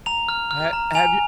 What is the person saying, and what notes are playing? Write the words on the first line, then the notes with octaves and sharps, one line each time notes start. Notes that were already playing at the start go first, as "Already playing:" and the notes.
ha have you
A#5 F7
F6
F6
A#5
G#5 F7